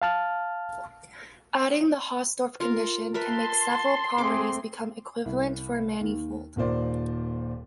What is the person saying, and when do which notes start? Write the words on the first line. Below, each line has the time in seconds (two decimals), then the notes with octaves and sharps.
Adding the Hausdorff condition can make several properties become equivalent for a manifold.
0.02 F5 A5 F6
2.60 F4 A#4
3.14 A#4 B4 E5 A5 C6
4.18 A3 C4 G#4 D6
5.25 C2
6.00 D#2 D#3
6.56 D#1 D#2 A#2 C5 D5